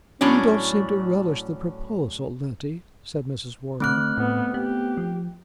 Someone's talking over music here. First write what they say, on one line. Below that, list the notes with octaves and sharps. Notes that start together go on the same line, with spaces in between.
"You don't seem to relish the proposal, Letty," said Mrs. Wardour.
A2 F#3 C#4 D4
D3 A3 C4 F#6
A2 B3
B3 G4
F3